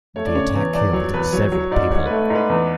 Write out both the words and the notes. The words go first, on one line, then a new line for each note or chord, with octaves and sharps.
The attack killed several people.
A3 C#5
D5
C#3 C#5
E2 C#5
E2 D5
F#3 C#5
E2 B4
F#3 C#5
F#3 C#5
G#2 D5
G#2 C#5
A3 B4
G#2
B4
E2